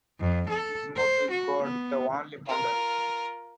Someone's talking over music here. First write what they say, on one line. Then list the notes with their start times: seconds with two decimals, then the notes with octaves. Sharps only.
Its motto is "God, The Only Founder".
0.20 F2
0.49 A4
0.96 C5
1.31 F#4
1.63 B3
2.46 F4 A#4